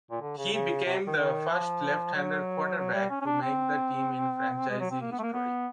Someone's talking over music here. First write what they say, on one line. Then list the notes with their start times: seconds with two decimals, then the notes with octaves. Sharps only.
He became the first left hander quarterback to make the team in franchise history.
0.11 A#2
0.22 D3
0.38 C#3
0.54 C#3
0.85 C3
1.07 D#3
1.17 D#3
1.50 F3
2.14 F#3
2.77 F#3
2.94 G3
3.10 C#4
3.21 C#4
3.25 D4
3.42 C4
4.70 G#3
4.80 F#3
4.91 C4
5.01 A#3
5.12 B3
5.19 A3
5.23 A#3
5.34 B3